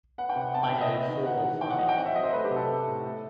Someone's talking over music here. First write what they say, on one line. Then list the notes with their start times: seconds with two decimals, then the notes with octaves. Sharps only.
I know four or five.
0.18 B3 F#5
0.29 G5
0.35 C3
0.41 F#5
0.53 B3 A5
0.63 G5
0.72 C3 E5
0.81 D#5
0.90 B3
1.07 D#3
1.26 D#4 F#5
1.43 E3
1.61 D#4 G5
1.70 F#5
1.78 F#3 D#5
1.89 G5
1.97 C4 F#5
2.06 E5
2.15 F#3 D#5
2.23 C5
2.33 A3 B4
2.44 G4
2.50 C3
2.56 A4
2.69 B3
2.87 A2
3.05 A3